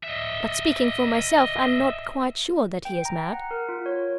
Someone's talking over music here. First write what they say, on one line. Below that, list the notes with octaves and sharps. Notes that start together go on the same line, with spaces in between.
"But, speaking for myself, I'm not quite sure that he is mad."
D#5 E5
G5
A#5
F#5
A#4
F4
C#5